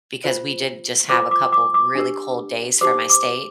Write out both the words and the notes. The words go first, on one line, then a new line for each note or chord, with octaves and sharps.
because we did just have a couple really cold days for my state,
F4 C5
F4 C5 D6
D6
D6
D6
D4 G4 A#4
D#4 G4 C5 D6
D6